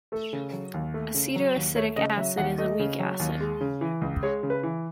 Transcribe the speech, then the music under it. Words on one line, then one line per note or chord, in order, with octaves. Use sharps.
Acetoacetic acid is a weak acid.
A3 A4
C#3
F#3
D#2
A3
C#3
F#3
D#2
A3 C#5
C#3 D#5
F#3 E5
D#2 F#5
A3 D#5
C#3
F#3
D#2
G#3
C#3
E3
C#2
G#3 C#5
C#3
B4
E3